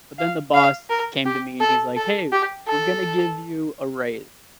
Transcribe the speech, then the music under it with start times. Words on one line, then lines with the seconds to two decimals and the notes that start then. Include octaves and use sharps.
But then the boss came to me, and he's like, "Hey. We're gonna give you a raise".
0.18 F5
0.54 F5
0.90 A#4
1.26 G4
1.60 A4
1.96 A4
2.32 G4
2.68 A4